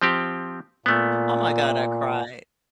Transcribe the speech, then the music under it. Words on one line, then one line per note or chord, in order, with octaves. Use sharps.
oh my god, I cried.
F3 C4 G4
A#2 A3 B3